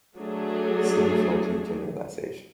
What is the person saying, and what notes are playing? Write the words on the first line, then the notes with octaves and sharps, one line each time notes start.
See faulty generalization.
F#3 A3 D4 G#4